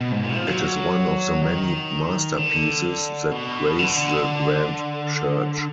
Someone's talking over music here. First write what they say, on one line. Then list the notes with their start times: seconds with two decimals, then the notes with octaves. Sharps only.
It is one of the many masterpieces that grace the grand church.
0.01 B2
0.12 G#2
0.24 A#2
0.35 F3
0.48 F#3
1.42 D#3
2.37 D3
3.31 B2
3.79 D3